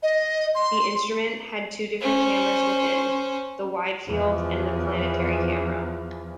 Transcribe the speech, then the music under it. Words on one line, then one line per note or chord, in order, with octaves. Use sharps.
The instrument had two different camera's within, the Wide Field and the Planetary Camera.
D#5
C6
C#4 C5
E2 F3